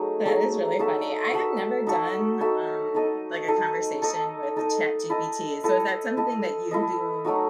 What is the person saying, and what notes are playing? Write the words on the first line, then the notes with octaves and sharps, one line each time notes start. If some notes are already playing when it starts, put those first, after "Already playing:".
That is really funny, I have never done, um, like, a conversation with ChatGPT, so, is that something that you do
Already playing: F#3 A3 D#4 G#4
F#3 A3 D#4 G#4
D#4 F#4 A4 E5
D#4 F#4 A4 E5
D#4 F#4 A4 E5
D#4 F#4 A4 E5
D#4 A4 D#5
D#4 A4 D#5
D#4 A4 D#5
D#4 A4 D#5
E4 A4 D#5
E4 A4 D#5
E4 A4 D#5
E4 A4 D#5
F#3 A3 D#4 F#4